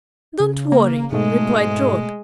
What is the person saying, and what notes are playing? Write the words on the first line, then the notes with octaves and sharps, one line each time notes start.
"Don't worry," replied Trot.
C#3
A#3
G#2 B2 G#3 A3